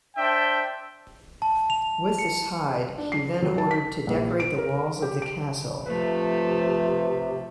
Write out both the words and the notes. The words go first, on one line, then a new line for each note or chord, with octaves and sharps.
With this hide he then ordered to decorate the walls of the castle.
D4 C5 E5 G5 A5
A5
F7
C#7
D4
C7
F#3
A5
B6
A#1
D7
A#4
G4
D7
C3 F3 A3 B4